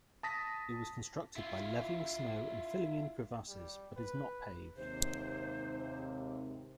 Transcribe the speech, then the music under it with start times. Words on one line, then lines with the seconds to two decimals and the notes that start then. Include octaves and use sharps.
It was constructed by leveling snow and filling in crevasses, but is not paved.
0.23 A5 D#6 A#6 B6
1.36 E4 F4
3.48 G3
3.96 B4
4.77 D#2 G#2 C3 C5